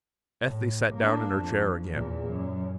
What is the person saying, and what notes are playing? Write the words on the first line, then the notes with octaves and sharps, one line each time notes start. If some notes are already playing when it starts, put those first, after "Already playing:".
Ethne sat down in her chair again.
A2
A#3 D4
F2
E2 A#2
F#2